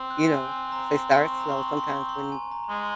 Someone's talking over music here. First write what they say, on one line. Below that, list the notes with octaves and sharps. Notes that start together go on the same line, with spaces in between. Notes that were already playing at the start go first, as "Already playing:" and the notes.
you know, if they start slow sometimes when
Already playing: C4
F#6
G#5
G#5
A#5
C6
C#6
C6
A#5
C#6
C6
C6
C#6
C6
A#5
G#5
A#5
A#5
G#3 C6